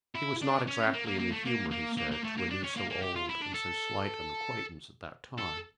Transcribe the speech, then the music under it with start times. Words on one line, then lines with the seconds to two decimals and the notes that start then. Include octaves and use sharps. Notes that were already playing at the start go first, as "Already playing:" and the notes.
He was not exactly in the humour, he said, to renew so old and so slight an acquaintance at that time.
0.15 E4
0.42 D4
0.67 C#4
0.93 A#3
1.06 A#3
1.19 A#3
1.33 A3
1.46 A#3
1.71 A#3
1.97 A#3
2.12 A#3
2.24 A3
2.37 A#3
2.51 D4
2.63 C#4
2.76 A#3
2.90 A#3
3.02 G4
3.16 F4
3.29 E4
3.42 D4
3.54 A4
5.38 A4